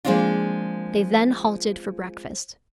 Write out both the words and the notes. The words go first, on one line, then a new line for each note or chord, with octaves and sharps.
They then halted for breakfast.
F3 G#3 A#3 C4 D4 F4